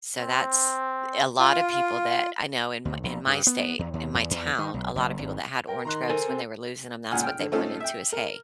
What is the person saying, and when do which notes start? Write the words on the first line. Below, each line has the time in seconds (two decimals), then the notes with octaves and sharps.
So that's A lot of people that I know in my in my state, in my town, a lot of people that had orange groves, when they were losing 'em, that's what they went into was hay.
0.18 C4
1.39 F4 F5
2.85 D2
3.03 A#1
3.26 G2
3.47 B3
3.79 E2
3.93 D#2
4.14 E2
4.31 E2
4.59 D#3
4.74 B1
4.96 F#1
5.19 G#1
5.68 A#4 G5
5.85 D#3 A#5 C6 F#6
6.09 A4 A#4 C5 G#5
6.29 C4
7.11 C#2 A#2 F#5 G#5 F6
7.23 G5 F6
7.39 D3
7.52 A3 C4 C#4 D#4 F4 A4
7.80 E5 G5
8.12 A#4